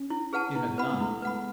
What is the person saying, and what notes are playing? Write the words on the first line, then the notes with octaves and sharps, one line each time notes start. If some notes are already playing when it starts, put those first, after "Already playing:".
He had none.
Already playing: C#4
E4
G#4 B4 F#5 A5
B3 E4
B4 F#5 B5
G#3
A3 E4
B4 F#5 B5